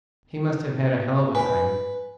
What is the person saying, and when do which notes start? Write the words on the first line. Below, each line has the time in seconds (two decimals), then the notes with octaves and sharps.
He must have had a hell of a time.
1.35 B4 G#5